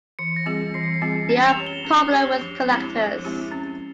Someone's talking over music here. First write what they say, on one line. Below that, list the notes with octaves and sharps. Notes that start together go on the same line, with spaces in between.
They are popular with collectors.
E3 C#7
A#6
G3 C4 F4 G#4
E3 C7
C#7
C7
G3 C4 F4 G#4
C#4 E7
F7
G4 C#5
G7
C#4
G4 C#5
F3
G#3 C4 E4 G4
F3
G#3 C4 E4 G4
C#4